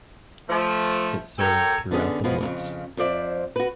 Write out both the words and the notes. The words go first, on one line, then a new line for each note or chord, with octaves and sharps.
It served throughout the Blitz.
F3 A3
F#2 A4 C#5 G5 A#5
D3 B3 C#4 G#4
B2 F3 G#3 B3
F2 A#2 C#3
F2 C5 D5 E5
F#4 B4